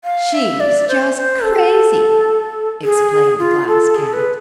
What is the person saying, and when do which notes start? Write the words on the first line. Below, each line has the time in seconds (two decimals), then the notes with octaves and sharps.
"She's just crazy," explained the Glass Cat.
0.05 F5
0.33 E5
0.60 D5
0.88 C5
1.17 C5
1.43 A4
2.84 G#4
3.39 F4
3.68 A4
3.95 G#4
4.09 A4
4.13 B4